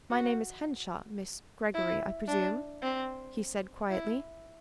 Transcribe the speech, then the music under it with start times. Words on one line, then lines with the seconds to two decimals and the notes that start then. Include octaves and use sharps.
"My name is Henshaw, Miss--Greggory, I presume," he said quietly.
0.11 F#4
1.74 E4
2.28 D4
2.82 C4
3.91 E4